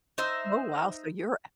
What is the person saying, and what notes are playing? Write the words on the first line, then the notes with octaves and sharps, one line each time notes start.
Oh, wow, so you're
D#4 C5 E5